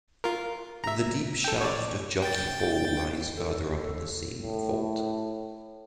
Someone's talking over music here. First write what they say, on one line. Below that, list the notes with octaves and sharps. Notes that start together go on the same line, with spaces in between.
The deep shaft of Jockey Hole lies further up on the same fault.
F4 A#4
E5 A#5
A4 G5
C#5 D5
G5 A6
A4
A2